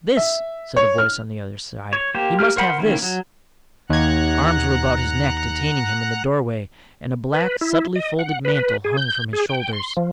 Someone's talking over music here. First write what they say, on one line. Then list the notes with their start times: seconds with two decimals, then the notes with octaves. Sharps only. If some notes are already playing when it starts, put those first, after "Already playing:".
"This," said a voice on the other side, "he must have this." Arms were about his neck detaining him in the doorway, and a black subtly-folding mantle hung from his shoulders.
0.17 E5
0.76 C#5
0.98 F6
1.93 C#5
2.15 A#3 G4 C5
2.39 A#3 G4 F6
2.56 A#4 C5 F#5 B5 C6
2.78 D#3 E3 A#3 C#4 E4
3.02 F#3
3.90 D#2 F#5 A#5 F#6 G#6
7.34 B4
7.61 E4
7.96 D#5
8.19 F#5
8.45 B4
8.84 G#4
8.97 G6
9.33 G#4
9.49 G5
9.73 C6
9.97 F3